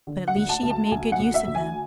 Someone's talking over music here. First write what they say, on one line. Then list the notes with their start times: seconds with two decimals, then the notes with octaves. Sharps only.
But at least she had made good use of them.
0.07 D3
0.28 F#5
0.36 D2
0.49 A5
0.63 D2
0.70 A5
0.91 D2 G#5
1.12 F#5
1.19 D2
1.34 E5
1.47 D2
1.55 G#5